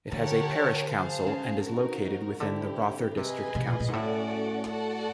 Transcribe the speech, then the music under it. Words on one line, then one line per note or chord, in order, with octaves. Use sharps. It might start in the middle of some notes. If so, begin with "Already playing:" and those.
It has a parish council and is located within the Rother District Council.
D3 G4 A#4 C#5 F#5 A5
G#4 C5 F5 A5
C#3
C4 D#4 F#4 A#4
D3 C4 E4 G4
C3 G#4 B4 D#5 G#5
C3
A#2
A#2
G#2
A2 C#4 F#4 A4 D5 F#5
F#4 A4 D5 F#5 A5